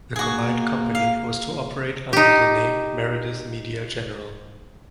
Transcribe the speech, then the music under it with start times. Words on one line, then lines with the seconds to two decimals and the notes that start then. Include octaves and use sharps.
The combined company was to operate under the name Meredith Media General.
0.16 A#3 F#4 G#4
0.95 F5
2.13 D#4 G4